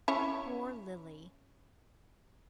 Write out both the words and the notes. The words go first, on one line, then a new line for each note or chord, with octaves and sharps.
Poor Lily!
C#4 E4 C#5